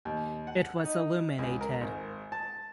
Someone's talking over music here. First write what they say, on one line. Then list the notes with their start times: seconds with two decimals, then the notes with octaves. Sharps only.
It was illuminated.
0.05 D#2
0.47 F#5
0.85 D#4
1.39 C#2
1.61 A#4
1.81 G#1
2.32 A5